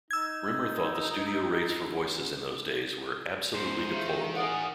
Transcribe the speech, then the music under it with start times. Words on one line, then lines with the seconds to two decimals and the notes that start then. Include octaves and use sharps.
Rimmer thought the studio rates for voices in those days were "absolutely deplorable".
0.11 D#4 E6 G#6
3.54 E2 G#2 E3 D#4 C5
3.91 D#3 G#4 E5 F5
4.36 D5 F5 F#5 G#5 D#6 F6